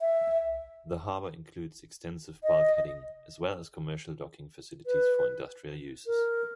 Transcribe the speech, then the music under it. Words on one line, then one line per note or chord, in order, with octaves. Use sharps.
The harbor includes extensive bulkheading, as well as commercial docking facilities for industrial uses.
E5
D#5
B4
A#4